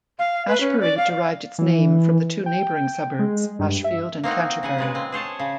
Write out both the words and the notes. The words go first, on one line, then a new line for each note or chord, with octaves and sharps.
Ashbury derived its name from the two neighbouring suburbs Ashfield and Canterbury.
F5
B4
C#4
D5
F5
E3
G5
G#3
G2
E5
A#3 C4 D#4 F#4
C#3 F#5 G#5
A#2 G#3 B4
C4
G#4 C5 C#5 A5
C#3